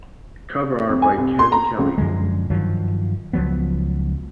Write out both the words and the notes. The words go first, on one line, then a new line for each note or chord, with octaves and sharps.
Cover art by Ken Kelly.
F2
G#5
C2
C6
A#5
C#2
F#2 D3 F3 G#3
G2 D#3 F3 F#3
C#2 F3 F#3 B3